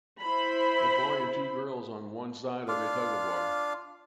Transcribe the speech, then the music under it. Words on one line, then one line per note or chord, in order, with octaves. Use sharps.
A boy and two girls on one side of a tugofwar.
E4 C5 B5
D4 F4 F5